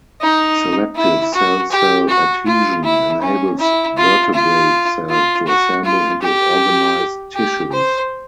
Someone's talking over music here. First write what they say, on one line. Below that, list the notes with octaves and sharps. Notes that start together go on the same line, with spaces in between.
Selective cell-cell adhesion enables vertebrate cells to assemble into organised tissues.
D#4
E4
F#4
G4
F#4
F4
E4
C#4
E4
F4
F4
F4
F#4
F4
G4
G4
C5